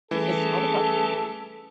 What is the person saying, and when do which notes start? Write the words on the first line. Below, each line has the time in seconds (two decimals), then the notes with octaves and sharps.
It's all about
0.11 E3 G3 A3 C#4 G#4 A4